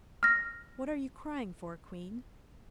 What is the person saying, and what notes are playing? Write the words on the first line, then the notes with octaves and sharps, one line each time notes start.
"What are you crying for, queen?"
F6 A#6